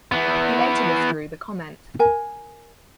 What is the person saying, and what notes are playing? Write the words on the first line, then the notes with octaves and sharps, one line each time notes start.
He later withdrew the comment.
E3 B3
A#4 G#5